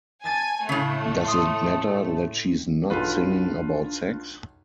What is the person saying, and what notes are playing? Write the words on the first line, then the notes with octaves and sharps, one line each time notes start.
Does it matter that she's not singing about sex?
G#5 A5 A6 D#7
A2 C#3 A3
C6 D#6
B1 D4 F4 G#4 A4 B4